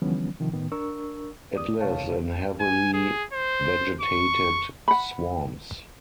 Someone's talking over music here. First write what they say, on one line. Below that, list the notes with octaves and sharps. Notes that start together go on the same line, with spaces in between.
It lives in heavily vegetated swamps.
D3 E3 F3 G3 B3 C#4
C3 D#3 F3
A2 D#3 B3
D4 A#4 C#6 E6
D5 D#6
C3 C#5 F5 A5
G#5
G#4
C5
C#6
F#5 B5